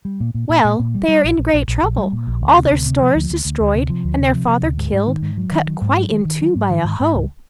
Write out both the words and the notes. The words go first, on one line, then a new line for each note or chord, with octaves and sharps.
"Well, they are in great trouble; all their stores destroyed, and their father killed--cut quite in two by a hoe."
G3
A#2
A#2
A#2
A#2
A#2
G3
G3
A#1
A#1
A#1
A#1
A#1
G3
A#2
A#1
D2
C3
D2
C3
F3
D2
D2
D2
D2
C3
F3
D2
C3
F3
C3
D2
G#2
G#2
D#3
G#2
F#3
D#3
F#3
G#2
F#3
D#3
D#3
F#3
G#2
D#3
G#2
G#2
C#2